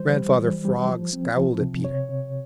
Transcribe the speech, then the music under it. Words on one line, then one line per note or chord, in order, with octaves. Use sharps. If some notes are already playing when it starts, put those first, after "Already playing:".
Grandfather Frog scowled at Peter.
Already playing: E3 G3 C5
G3
E3
G3
F3
C4
F3
C3
C3 C#5
C3